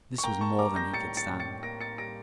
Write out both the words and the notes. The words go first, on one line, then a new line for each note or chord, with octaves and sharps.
This was more than he could stand.
C#6
A#3 G5 A#5
A5 C#6
G3 A#5 D6
G6 A#6
A2 A6 C#7
A6 C#7
A2
A6 C#7
A#3 A#6 D7
A6 C#7
G3 A#6 D7